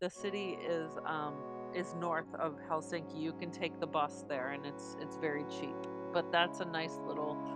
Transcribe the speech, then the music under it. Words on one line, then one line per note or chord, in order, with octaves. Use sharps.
the city is, um, is north of Helsinki, you can take the bus there and it's it's very cheap, but that's a nice little
B2 G#3 B3 F#4 C#5
G#2 F#3 C#4
A2 F#3 C#4 F#4 B4
C#3 G#3 C#4 E4